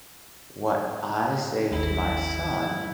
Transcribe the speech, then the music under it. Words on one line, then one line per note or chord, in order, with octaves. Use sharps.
What I say to my son
G#1 D#2 E4